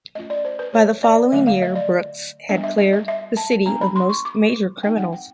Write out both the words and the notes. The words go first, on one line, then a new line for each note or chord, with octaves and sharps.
By the following year Brooks had cleared the city of most major criminals.
A3 C#4 F4 D#5
D5
C5
B4
C#5
D5
D3 F#3 A3 E5
F5
D#5
D5
G3 B3 D4 D#5
E5
D#5
D#5
E5
A5
G#3 B3 D4 A#5
B5
C6
C#6
D6
G#3 C4 D#4 G5
F#5
G5